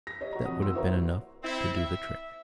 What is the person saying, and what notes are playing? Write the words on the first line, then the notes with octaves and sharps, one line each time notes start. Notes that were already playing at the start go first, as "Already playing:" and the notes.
That would have been enough to do the trick.
A#6 B6
G4 C#5 D#5
F#4 A#5
F2 F#5 D#6
D#2 C6 E6
E4 F#4 A#4 C5 C#5 A#5
C4 E4
E5